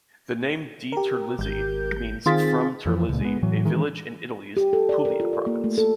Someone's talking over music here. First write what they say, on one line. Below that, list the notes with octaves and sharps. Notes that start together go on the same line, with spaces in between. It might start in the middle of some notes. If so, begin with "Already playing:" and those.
The name DiTerlizzi means "from Terlizzi", a village in Italy's Pulia province.
G4 A#4
G#1 G6
D#3 C4 F4 G#4 A6 B6
F2 E3 F3
C#2 A#2
G#3 B3
A2 E3 F#3
D#3 E3 G#3
G4
A4
D5
A#4
F4
D5
A#3
A3
A4